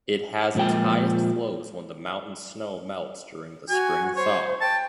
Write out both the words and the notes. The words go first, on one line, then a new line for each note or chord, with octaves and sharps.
It has its highest flows when the mountain snow melts during the spring thaw.
F#2 A#2 F3 G#3 G5
F#4 G#5
C5 C#5
G5 A5